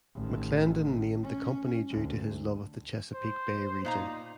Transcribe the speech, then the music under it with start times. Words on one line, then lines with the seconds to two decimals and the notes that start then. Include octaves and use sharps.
McClendon named the company due to his love of the Chesapeake Bay region.
0.15 A1 D#3
1.23 C#4
1.90 D2
3.14 C5
3.85 A#2 D#4 F5 A#5